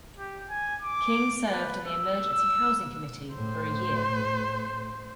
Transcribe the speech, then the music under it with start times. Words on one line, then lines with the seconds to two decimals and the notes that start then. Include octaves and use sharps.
King served in the Emergency Housing Committee for a year.
0.18 G4
0.50 G#5
0.82 D6
1.50 B4
1.87 E6
2.32 E6
3.35 A2 C5